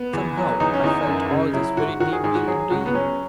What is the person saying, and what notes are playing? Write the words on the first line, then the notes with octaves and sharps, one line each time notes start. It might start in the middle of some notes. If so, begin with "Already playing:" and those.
Somehow I felt all this very deeply indeed.
Already playing: B3
E2
F#3
E2 D#4
C#4
E2 D#4
F#2
C#3
F#3 E4
G#2 F#4
D#3 F#4
G#4
G#2 G#4
F#4
F#3 G#4
C#2 F#4
B3
F#3 C#4